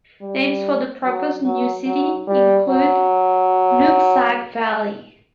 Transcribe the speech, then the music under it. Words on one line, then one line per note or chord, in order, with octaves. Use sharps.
Names for the proposed new city include "Nooksack Valley".
G3
F#3
F#3
F#3
G3
F#3